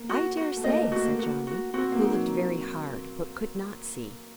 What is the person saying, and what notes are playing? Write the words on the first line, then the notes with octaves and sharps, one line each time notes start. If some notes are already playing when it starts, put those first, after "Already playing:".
"I daresay," said Johnny, who looked very hard, but could not see.
Already playing: A#3
F#4
F#4
A3
A#3 D#5
A3
F#4
A#3
A#3 F#4
F#4
C4 F#4
A#3
D#4
F#3